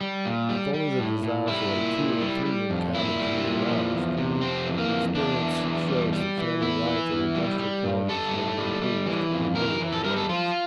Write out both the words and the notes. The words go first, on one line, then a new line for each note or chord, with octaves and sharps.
If only the desire for a two- or three-room cabin can be aroused, experience shows that family life and industrial qualities may be improved in many other ways.
G3
A#2
G3
G3
A2
A2
G3 E4
A#2
A#2
G3
G3
F2
A#2 E4
G3
A#2
F3
E2
C3
F2 C4
E3
A#3
F2
E2 D4
E3
E2
G3
G3
E3
E2 E4
E3
E2
G3
G3
G2
G3 A4
A2
G3
G3
E3
F2
E3 A#4
E3
A4
G3 A#4
A4
F3 F4